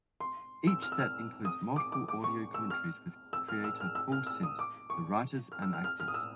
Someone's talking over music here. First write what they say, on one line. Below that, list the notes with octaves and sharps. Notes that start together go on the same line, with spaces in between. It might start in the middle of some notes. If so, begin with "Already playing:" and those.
Each set includes multiple audio commentaries with creator Paul Simms, the writers and actors.
C6
E6
F6
E6
F6
D#6
D6
D6
D6
C#6
E6
F6
E6
F6
E6
F6
E6
F6
E6
D#6
D6
C#6
F6
E6
F6
F6
F6
D#6
E6